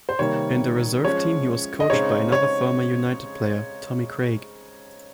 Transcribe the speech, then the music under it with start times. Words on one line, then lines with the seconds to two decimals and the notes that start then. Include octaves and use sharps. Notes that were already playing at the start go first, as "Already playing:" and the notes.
In the reserve team he was coached by another former United player, Tommy Craig.
0.09 C5
0.19 C3 D#3 G3 A#3 C#5
1.04 F3 G#3 C#4 C#5
1.80 D#5
1.90 C#3 G#3 C4 D#4 C#5
2.32 C#5